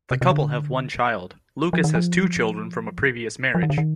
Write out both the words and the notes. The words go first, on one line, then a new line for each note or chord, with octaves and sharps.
The couple have one child; Lucas has two children from a previous marriage.
C3
C3
D3
F3
D#3
F3
F3
D#3
D3
D#3